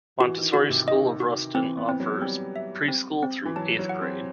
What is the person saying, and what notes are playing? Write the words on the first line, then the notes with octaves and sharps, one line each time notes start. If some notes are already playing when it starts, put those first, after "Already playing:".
Montessori School of Ruston offers preschool through eighth grade.
E3 F#4
D#3
D#3 F#4
C3
D#3 D#5
F#4
E3 C4
B3
C4
F#3
G3 C4
E5
C4
C4
E3
F#3 A5
F#3
F#5
C4